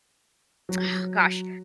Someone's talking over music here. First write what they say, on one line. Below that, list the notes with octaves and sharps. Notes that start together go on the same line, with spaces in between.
ugh, gosh,
F#3